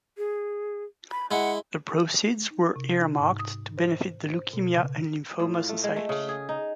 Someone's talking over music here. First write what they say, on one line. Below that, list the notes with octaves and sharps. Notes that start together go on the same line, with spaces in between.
The proceeds were earmarked to benefit The Leukemia and Lymphoma Society.
G#4
B5
G#3 E4 F#5
D#4
C3
D#4
G#2
D#6
C5
C5
B2
C#3
A2
F4
A3
G#3
A3
C#3
G#4
D#4